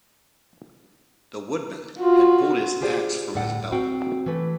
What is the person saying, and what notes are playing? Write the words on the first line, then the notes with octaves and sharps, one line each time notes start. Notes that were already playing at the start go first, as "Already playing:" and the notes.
The woodman had pulled his axe from his belt.
F4 F#4
F4 G4 G#4 C5 D5
D2 A2 D5 F#5
C4 F#4 G5
E3 A3 B4